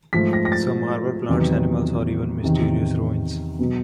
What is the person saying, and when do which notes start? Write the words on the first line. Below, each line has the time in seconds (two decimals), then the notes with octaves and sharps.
Some harbour plants and animals, or even mysterious ruins.
0.13 G#2 F3 A3 B6
0.33 A#6
0.45 A#6
0.52 A6
1.29 E2 C3 D#3 F#3 B3
2.44 E2 C3 D#3
3.59 B2 F#3 B3